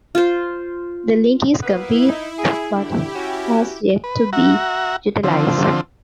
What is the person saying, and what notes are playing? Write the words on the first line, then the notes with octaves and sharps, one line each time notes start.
The link is complete but has yet to be utilized.
F4 C5
A#3 B3 E4 B4
D#4
G#4
D3 D4 E4 G4
C#4 F#4
B4
F#4 E5 F#5 A#5
D3 F3 C4